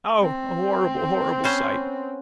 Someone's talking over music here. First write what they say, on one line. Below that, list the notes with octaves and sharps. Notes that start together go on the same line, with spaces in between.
O! a horrible, horrible sight!'
C4
B3 C#4 C5